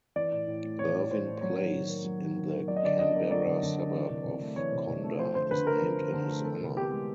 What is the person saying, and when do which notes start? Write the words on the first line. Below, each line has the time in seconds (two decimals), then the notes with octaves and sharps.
Ervin Place in the Canberra suburb of Conder is named in his honour.
0.16 E3 D5
0.32 A2
0.47 A2
0.64 A3
0.79 E3 C#5
0.95 A2
1.10 A2 C5
1.26 A3
1.41 F#3 C#5
1.58 D#3
1.73 D#3
1.89 A#3
2.04 F#3
2.20 D#3
2.36 D#3
2.52 A#3
2.68 F#3 D5
2.76 D#5
2.83 D3 D5
2.99 D3 D#5
3.15 A#3
3.30 F#3 D5
3.46 D3
3.63 D3
3.78 A#3
3.93 E3
4.09 C3
4.25 C3
4.41 A3
4.56 E3 C#5
4.72 C3
4.87 C3
5.03 A3
5.19 F3 C5
5.35 D3 C5
5.51 D3 B4
5.67 A3 A#4
5.82 F3
5.98 D3
6.13 D3
6.29 A3
6.44 E3 A4
6.60 C3
6.76 B3 G4
6.91 G#3